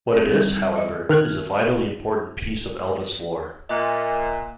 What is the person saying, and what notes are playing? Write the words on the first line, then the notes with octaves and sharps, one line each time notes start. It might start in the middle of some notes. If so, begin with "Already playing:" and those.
What it is, however, is a vitally important piece of Elvis lore.
C4
G3
E5
D#5
D#3 F6 F#6 G#6
A#2 D#5 E5 F#6